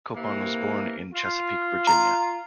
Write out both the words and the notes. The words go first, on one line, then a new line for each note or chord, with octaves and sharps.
Copon was born in Chesapeake, Virginia.
C3 E3 A#3
F4
A#5